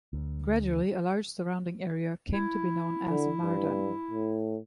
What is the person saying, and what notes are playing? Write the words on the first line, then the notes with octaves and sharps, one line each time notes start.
Gradually, a large surrounding area came to be known as Mardan.
D2
E4
D3
G2
A2